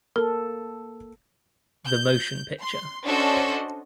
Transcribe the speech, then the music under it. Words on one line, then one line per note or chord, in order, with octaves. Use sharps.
The Motion Picture.
A#3 A4 A#4
G6
C6
C#4 D4 F#4 A4 C5 D#5